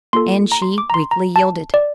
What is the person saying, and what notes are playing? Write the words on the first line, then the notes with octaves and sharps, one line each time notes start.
And she weakly yielded.
A#3 F4 A4 C6
A#5
C6
D6
A#5
C6
A#5
A5
D5